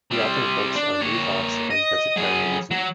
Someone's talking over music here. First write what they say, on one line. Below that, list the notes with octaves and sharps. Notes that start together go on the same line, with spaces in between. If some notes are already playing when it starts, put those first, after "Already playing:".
He authored books on new thought and vegetarianism.
G3 C4
D4
A#3 C#5
D#5
F#3 G#4
F#3